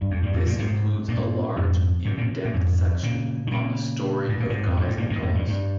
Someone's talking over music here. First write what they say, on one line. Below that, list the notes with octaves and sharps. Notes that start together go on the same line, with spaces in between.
This includes a large in depth section on the story of Guys 'n' Dolls.
G2
F2
G2
F2 G#2
G2 A#2
G#2 C3
G2 A#2
F2 G#2
G#2 C3
A#2 C#3
A#2
F2 G#2
A#2 C#3
D#3
A#2 C#3
G#2
A#2
G#2 C3
F2
G2
G#2
G2 A#2
G#2 C3
F2 G#2
G2
G2